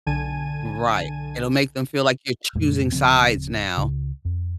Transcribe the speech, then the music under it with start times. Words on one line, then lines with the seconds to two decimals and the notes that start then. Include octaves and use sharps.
Right. It'll make them feel like you're choosing sides now
0.06 B1 D3 G#5 A5 G#6 D#7
2.55 F2 A#2 G#3 A3
2.92 D1 C#3 F3 C4
3.78 C#2 C#3
4.25 F2